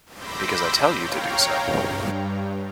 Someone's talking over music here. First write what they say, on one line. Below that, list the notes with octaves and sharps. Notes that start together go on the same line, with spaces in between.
Because I tell you to do so.
B5 C6 D6 E6 G6 A#6
C#5 F5 G5 A#5
G2